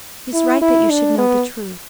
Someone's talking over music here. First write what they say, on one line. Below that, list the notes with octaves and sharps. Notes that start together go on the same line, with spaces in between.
It is right that you should know the truth.
E4
E4
D4
B3